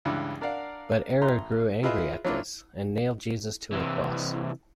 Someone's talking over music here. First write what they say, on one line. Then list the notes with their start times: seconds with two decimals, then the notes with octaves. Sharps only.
But Error grew angry at this, and nailed Jesus to a cross.
0.05 C#2 G2 E3
0.41 D4 A#4 D5 F5 F#5
1.21 A1 A#5 C6
1.83 E4 F4 G#4 B4 D#5 E5
2.25 F#3 A#3 C#4 D4 E4 F4
3.73 C2 E3